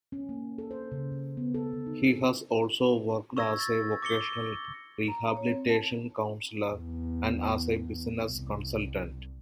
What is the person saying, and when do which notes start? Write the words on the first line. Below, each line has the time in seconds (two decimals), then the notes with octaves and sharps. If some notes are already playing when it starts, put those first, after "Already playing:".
He has also worked as a vocational rehabilitation counselor and as a business consultant.
0.12 C#4
0.29 A#3
0.58 A4
0.71 C5
0.92 C#3
1.37 B3
1.54 A4
1.73 D3
1.87 D#4
2.12 G#4
3.37 C#6 E6 G#6 A#6
3.60 A6
4.02 D6 A#6 C#7 G7
5.08 A#5
5.37 C#5
5.49 C4
5.69 A5
6.72 E2
8.24 C2